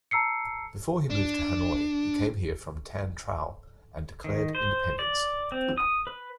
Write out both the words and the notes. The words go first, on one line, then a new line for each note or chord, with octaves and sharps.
Before he moved to Hanoi, he came here from Tan Trao and declared independence.
A5 A#5 E6 C7 C#7
D4
D#3
C5
D5
C4
D#6
B4